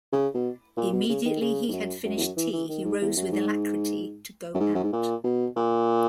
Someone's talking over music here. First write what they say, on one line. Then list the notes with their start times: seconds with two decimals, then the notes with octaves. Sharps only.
Immediately he had finished tea he rose with alacrity to go out.
0.13 C#3
0.34 B2
0.77 A#2
0.93 B2
1.09 C#3
1.25 D#3
1.41 C#3
1.69 G#2
1.73 F#2
2.05 F#2
2.17 E2
2.20 F#2
2.37 E3
2.53 E3
2.69 D#3
2.85 G#2
3.01 E2
3.17 F#2
3.32 G#2
4.55 F#2
4.60 G#2
4.75 F#2
4.84 G#2
4.93 A#2
5.24 B2
5.57 A#2